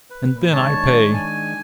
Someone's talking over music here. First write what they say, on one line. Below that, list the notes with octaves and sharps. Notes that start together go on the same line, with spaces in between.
And then I pay.
B4
A#2
D#3 G#3 D4 C#5 A5
G#5